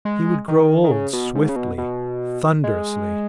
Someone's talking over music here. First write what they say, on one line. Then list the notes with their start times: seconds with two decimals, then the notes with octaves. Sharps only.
He would grow old swiftly, thunderously.
0.05 G#3
0.48 D#3
0.84 D#3
0.92 C#3
1.13 B2
1.35 G#2
1.49 C#3
1.56 B2
1.78 B2
2.64 G#3